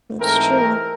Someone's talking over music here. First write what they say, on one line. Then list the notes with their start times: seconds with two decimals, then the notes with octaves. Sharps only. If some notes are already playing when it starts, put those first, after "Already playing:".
that's true.
0.20 G#2 E3 A3 C4 A#4